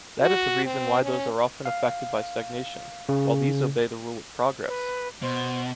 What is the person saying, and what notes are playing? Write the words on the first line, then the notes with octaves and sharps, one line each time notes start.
That is the reason why those are often affected by stagnation, while these obey the rule of progress.
F#4
C4
C#4
F5
C#3
B4
B2 C5